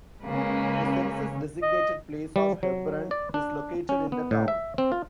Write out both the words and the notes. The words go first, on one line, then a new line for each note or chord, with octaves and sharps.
The census-designated place of Hebron is located in the town.
C#3 G#3 A#3 C#4 B4
D#5
G3
F#3
D5
D4
C#4
B3
A2
E5
C4
F4